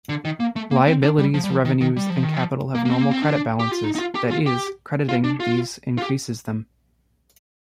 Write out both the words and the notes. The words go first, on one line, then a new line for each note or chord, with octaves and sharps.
Liabilities, revenues, and capital have normal credit balances, that is, crediting these increases them.
D3
D#3
A#3
A3
A#3
C4
D4
G3
F3
G3
F3
D#3
D#3
G3
F3
D#3
F3
A#3
A#3
C4
A#3
C4
D4
G4
F4
D#4
D#4
F4
G4
F4
G4
F4
D4
F4
F4
G4